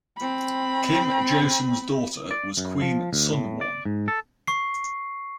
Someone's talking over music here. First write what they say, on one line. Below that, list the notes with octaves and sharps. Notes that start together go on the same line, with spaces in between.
Kim Josun's daughter was Queen Sunwon.
C4 B5
D5
F#2
F3
D2
A2
D5
G#2
A4
C#6 C7